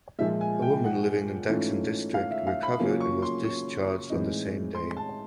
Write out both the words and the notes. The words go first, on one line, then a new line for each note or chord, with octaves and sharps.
A woman living in Daxing District recovered and was discharged on the same day.
A#2 F3 G#3 E5
G#5
G5
F#5
G#2 E3 A3 C#4 F4
F5
E5
F5
B5
C#3 F#3 A#3 C#4 F4
C#6
C6
C#6
A2 E3 G#3 C4 D#4
C6
A5